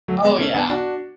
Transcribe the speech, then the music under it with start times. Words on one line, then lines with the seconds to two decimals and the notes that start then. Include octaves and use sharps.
Oh yeah,
0.08 F#3 A3
0.23 G#3 B3
0.39 A3 C#4
0.55 B3 D4
0.69 D4 F#4